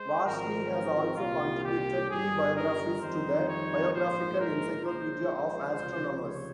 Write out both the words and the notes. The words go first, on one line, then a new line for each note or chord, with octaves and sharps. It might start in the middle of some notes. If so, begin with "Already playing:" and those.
Varshni has also contributed three biographies to the "Biographical Encyclopedia of Astronomers".
Already playing: G#3 C5
G#1 G#2 F3 C4 A#4
A#4
C2 A#2 G3 F4
G4
G1 G2 G3 G#4
A#4
F2 D#3 G3 C4 D#4 C5
C#5
A#1 G#2 F3 G#3 C5
A#4
A#1 A#2 G#3 C#4 C5
C#2 C3 F3
C#5